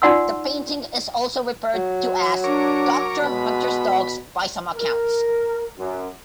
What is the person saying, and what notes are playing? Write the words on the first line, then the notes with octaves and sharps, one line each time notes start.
The painting is also referred to as "Doctor Hunter's Dogs" by some accounts.
D#4 F4 D5 F#5 C6 E6
F#3
D4 A#4 C#5 D6
B2 G#3 B5
A#4
F#2